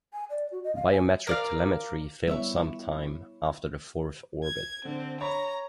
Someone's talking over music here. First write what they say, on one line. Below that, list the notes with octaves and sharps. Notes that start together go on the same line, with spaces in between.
Biometric telemetry failed sometime after the fourth orbit.
G#5
D5
F#4
D#5
F5
G#5
A#4 D5 F5
G3 B3 E4 C#5 E5
G#6
D3 C4
C#5 A#5 B5